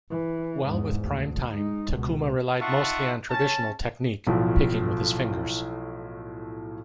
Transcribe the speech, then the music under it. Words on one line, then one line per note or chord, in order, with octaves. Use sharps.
While with "Prime Time", Tacuma relied mostly on traditional technique, picking with his fingers.
E3
E2 G#2
D2
G#3 D#4
C#2 B2
D#4 F4 E5 F#5 A5 C#6
C#4 A5
B1 A2 F3